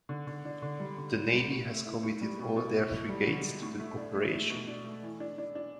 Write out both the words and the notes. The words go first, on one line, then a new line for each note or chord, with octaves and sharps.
The Navy has committed all their frigates to the operation.
D3
D3
D4
D3
G3
D3
G3
G3
A2
A3
E4
A2
G3
B2
B2
B2
E4
G3
D3
G3
A2
A3
D4
A3
A3
B2
D4
A3
E3
D4
D4
D4